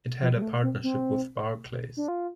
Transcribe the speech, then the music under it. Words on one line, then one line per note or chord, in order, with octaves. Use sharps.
It had a partnership with Barclays.
F3
G3
A3
C4
C4
D4
F4